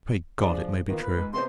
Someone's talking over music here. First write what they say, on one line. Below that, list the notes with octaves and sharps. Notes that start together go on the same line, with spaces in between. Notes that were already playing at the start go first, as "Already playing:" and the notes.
Pray God, it may be true!
F3 D4 G#4 D5
D#3 A#3 B3 F4
B4
G#2
C3 G#3 B3 C5 C6